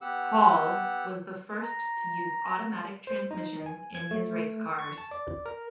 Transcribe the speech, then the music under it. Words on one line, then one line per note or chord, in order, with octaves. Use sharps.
Hall was the first to use automatic transmissions in his race cars.
B3 G4 F#5 E6
A#5
C5
D#4
G#5
G#6
A3
C#6
A5
D5
A#4